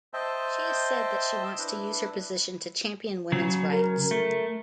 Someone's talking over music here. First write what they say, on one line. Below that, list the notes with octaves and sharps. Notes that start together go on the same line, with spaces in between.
She has said that she wants to use her position to champion women's rights.
C5 D#5 E5 G5 A5
D4 E4 B4
C#3 F#3
A#4
A3